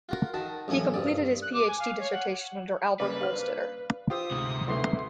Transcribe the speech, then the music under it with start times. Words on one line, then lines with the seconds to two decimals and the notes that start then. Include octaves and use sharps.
He completed his PhD dissertation under Albert Wohlstetter.
0.09 F4 F#4 A#4
0.34 D#3 F#4 A5
0.68 A1 F#2 A#3 C#5 G#5
0.94 C2 G2 D5
1.42 F#6
1.53 D6
1.68 G#5
1.80 F5
1.99 C#5
2.12 F#5
3.00 C#3 G3 A#3 B4 D5
3.21 D4 C5 F5 F6
4.10 F4 G4 C5 G5 D#6 E6
4.31 D2 G#2 C3
4.68 B1 A3 C4 C6